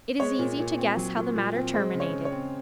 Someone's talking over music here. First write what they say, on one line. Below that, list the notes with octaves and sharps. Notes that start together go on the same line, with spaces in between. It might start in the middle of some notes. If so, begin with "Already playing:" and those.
It is easy to guess how the matter terminated.
G#3 C#5
A#2
A#2
C4
F#3
A#2
A#2
C4
G#3 C5
C#3
C#5
C#3
C#5
C4